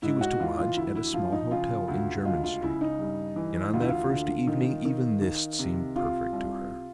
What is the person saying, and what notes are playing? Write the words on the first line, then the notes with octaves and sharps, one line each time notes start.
She was to lodge at a small hotel in Jermyn Street; and on that first evening even this seemed perfect to her.
G#2 E4
F#4
E3 F4
F4
D2 E4
E4
F3 F4
D#4
C#3 F4
D2
C#2 F4
F4
C#3 E4
D#4
G2
E3
D2 F4
E4
F4
D3
D#3
D#3
D#3
C3
C3 F4
C2